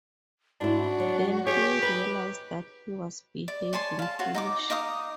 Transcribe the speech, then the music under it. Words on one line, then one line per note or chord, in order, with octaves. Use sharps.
Then he realised that he was behaving foolishly.
G#2 D4 E4 F#4
F#3
G4 G#4 C#5
D#4 B4
D5
C#5 G#5 A5 C6
F5 A5
F4 F#4 C#5
D#4 G#5 D6
D#4 F5 D6 D#6